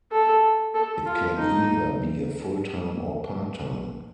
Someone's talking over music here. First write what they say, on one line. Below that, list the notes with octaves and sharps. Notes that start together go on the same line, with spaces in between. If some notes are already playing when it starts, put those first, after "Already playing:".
It can either be a full-time or part-time.
A4
A4
F4
D#4